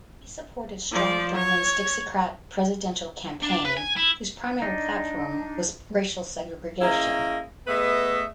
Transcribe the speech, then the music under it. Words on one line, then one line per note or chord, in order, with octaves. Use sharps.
He supported Strom Thurmond's Dixiecrat presidential campaign, whose primary platform was racial segregation.
F3 D5
C#5
D4
B4
G#5
E4
D4 D#4
A#3 C#4 E4 G#4 A#4 D#5
A3 B3 G#4 B4 D#5 E5